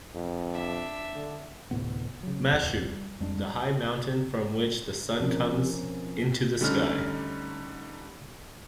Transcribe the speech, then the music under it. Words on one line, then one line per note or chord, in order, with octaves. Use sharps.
Mashu, the high mountain from which the sun comes into the sky.
F2
D4 E5
D3
D2 A2 C3 B3
C#3 F#3
D1 E2 B2
G3
F2 G3 G#3 D4
B2 F3 C4 C#4 A#4
D3 G3 A3 C#4 D#4 F6